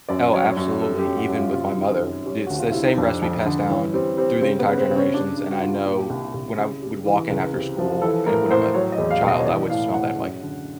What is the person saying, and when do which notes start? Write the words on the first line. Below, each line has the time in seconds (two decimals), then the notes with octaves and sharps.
Oh, absolutely, even with my mother, it's the same recipe passed down through the entire generations, and I know when I w would walk in after school, uh, when I'm a child, I would smell that, I'm, like,
0.09 F#2 D5
0.33 F#3 C#5
0.57 F#2 C#5
0.81 G3 A4
0.99 G4
1.05 F#2
1.17 F#4
1.29 F#2
1.35 F4
1.53 C3 F4
1.77 D#3
2.01 F#3
2.25 G3 C#4
2.47 D2 F#4
2.59 F4
2.72 C3 E4
2.84 D#4
2.97 F2 D4
3.22 F2
3.46 D3
3.69 E3 C#4
3.93 G3 C4
4.17 G3 C4
4.41 C#3 C4
4.59 B3
4.66 C#3
4.78 C4
4.90 C#3
4.96 C#4
5.14 G2 D4
5.37 G2
5.51 F#4
5.62 G2 F4
5.85 A#2 G4
6.10 C2
6.34 C2
6.58 C#3
6.82 G3
7.06 E3
7.30 C#2
7.54 C3
7.78 F3
8.01 E3 A4
8.26 A2 A#4
8.51 A2 C5
8.74 F#3 C#5
8.92 D#5
8.98 E2
9.11 F5
9.23 B2
9.28 D#5
9.40 C#5
9.46 E3 D5
9.70 A2 F5
9.94 A2 F#5
10.18 F#2
10.42 D3